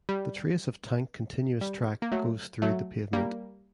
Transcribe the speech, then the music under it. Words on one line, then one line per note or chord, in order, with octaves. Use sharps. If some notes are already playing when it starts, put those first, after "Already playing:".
The trace of tank continuous track goes through the pavement.
G3
G3
A#3
F#3 A3
F#3 A3
G3 A#3